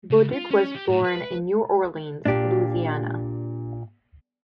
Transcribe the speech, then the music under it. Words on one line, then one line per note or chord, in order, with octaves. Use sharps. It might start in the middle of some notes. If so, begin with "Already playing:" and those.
Bauduc was born in New Orleans, Louisiana.
C#3
F4
C#4
G4
A2
B4
A#2 D4 G4